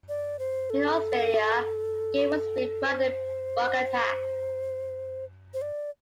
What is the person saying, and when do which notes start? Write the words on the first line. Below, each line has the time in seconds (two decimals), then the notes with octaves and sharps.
In Australia, the game was re-branded "Bug Attack".
0.09 D5
0.39 C5
0.70 A4
2.85 C5
5.54 C5
5.62 D5